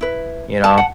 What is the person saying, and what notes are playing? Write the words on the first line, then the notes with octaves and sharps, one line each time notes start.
you know?
E4 B4
A5
F#5